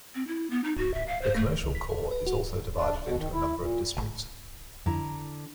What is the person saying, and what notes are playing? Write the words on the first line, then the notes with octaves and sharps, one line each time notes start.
The commercial core is also divided into a number of districts.
C4
E4
B3
D#4
F#4
E5
F5
C5
A3
C2
B6
A4
B4
F#4
D4
B2
D#3
E4
A#2
G#1 A2
F2 D3 E4 A#5